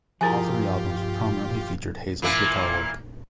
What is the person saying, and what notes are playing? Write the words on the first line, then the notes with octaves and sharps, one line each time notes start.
All three albums prominently featured Hazel's guitar work.
G2 F3 E4 F4 G4 G#4 A#4 G#5
A#2 E3 A#3